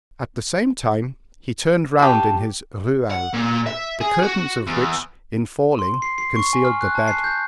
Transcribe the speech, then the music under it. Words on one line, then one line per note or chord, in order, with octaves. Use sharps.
At the same time he turned round in his ruelle, the curtains of which, in falling, concealed the bed.
F#4 G4 A5
F#5
A#2
E5
G#4
F#4
E2
C6
C7
C7
C#6
G#5
F6
F#6
A5
C7
G6